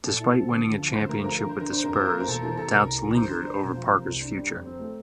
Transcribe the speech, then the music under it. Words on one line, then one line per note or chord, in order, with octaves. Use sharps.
Despite winning a championship with the Spurs, doubts lingered over Parker's future.
A#2 A4
E4
C4
D2
D2
F3
D2 C5
A3 A#4
F3 A#4
D3 A#4
D3 C5
A#4
D4 C5
F2 A#4
F4 C5
A#4
A#3
A#4
E1 A4
E3 A4
C3 A4
C2 A#4
C2
E3
D3 C5
D3
D4
E1
F3
C3
C2
D4
G3
F2
C4
A3